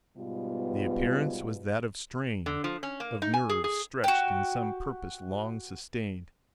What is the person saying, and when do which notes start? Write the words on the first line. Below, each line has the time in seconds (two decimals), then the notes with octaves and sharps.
The appearance was that of strain, of nerves stretched in some purpose long sustained.
0.17 G#2 B2 G3 B3 F4
2.46 D3
2.64 F3
2.83 C#4
3.00 A#3
3.22 D#4
3.34 G#5
3.49 G#4
3.64 G#4
4.04 F#4 G4